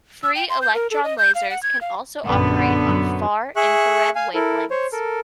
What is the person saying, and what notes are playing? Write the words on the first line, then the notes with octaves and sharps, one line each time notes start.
Free electron lasers can also operate on far infrared wavelengths.
E6
G5
C6
G6
A#4
A4
D#5
G6
F5
F#5
G#6
F5
A#1 F#2 D3 B3
F#2 F#3
G#4 E5 C#6 F#6
F5 G#5
E4 A4 A#4
C5 C#5
A4 A#4